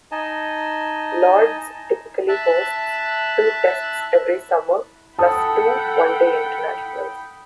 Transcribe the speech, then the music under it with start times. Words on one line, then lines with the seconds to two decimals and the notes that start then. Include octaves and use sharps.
Lord's typically hosts two Tests every summer plus two one-day internationals.
0.12 D#4 D#5 G#5 A5
2.28 E5 A5 F#6
5.19 A4 F#5 G5 A5 B5 D#6